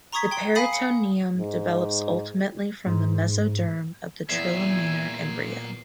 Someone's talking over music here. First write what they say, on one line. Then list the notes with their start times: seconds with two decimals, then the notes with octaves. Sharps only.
The peritoneum develops ultimately from the mesoderm of the trilaminar embryo.
0.13 A#5 C6 C#6 D#6 G#6 B6
0.31 G5 C6
0.55 F5 G#5 B5 D#6 B6 C7
0.73 D#6 C#7
1.38 G#2
2.86 G#2
4.29 E2 A#2 E4 E5 G#5 C7